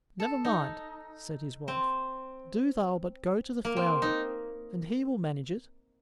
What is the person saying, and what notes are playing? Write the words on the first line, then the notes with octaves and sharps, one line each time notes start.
"Never mind," said his wife; "do thou but go to the flounder, and he will manage it."
A4
D#4
C4
A#3
C4
D#4